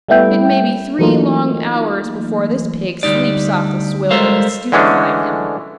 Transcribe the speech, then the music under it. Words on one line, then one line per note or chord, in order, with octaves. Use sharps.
It maybe three long hours before this pig sleeps off the swill that has stupefied him.
G3 A3 B3 E4 G5
E3 F#3 A3 A#3 D#4 F4
D2 C#3 G3 D#4 D5
G3 G#3 A4 A#4 C5 F5
D3 E3 G#3 A3 C#4 D4